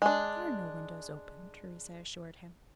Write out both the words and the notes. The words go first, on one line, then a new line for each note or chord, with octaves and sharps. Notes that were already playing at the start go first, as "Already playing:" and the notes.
"There are no windows open," Theresa assured him.
G#3 D4